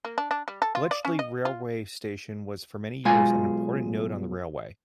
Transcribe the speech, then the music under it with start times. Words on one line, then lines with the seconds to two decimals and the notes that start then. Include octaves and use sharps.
Bletchley railway station was for many years an important node on the railway.
0.05 A#3
0.18 D4
0.31 D4
0.48 G3
0.62 A4
0.75 F4
0.91 D5
1.05 C#4
1.19 D#5
1.45 F4
3.05 B1 G#3 F4 F5 G#5